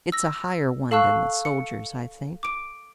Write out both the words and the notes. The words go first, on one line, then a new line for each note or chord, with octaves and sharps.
It's a higher one than the soldier's, I think.
E6 A#6
A4 F5 A5 C#6 E6 F#6
C#7
D6 D7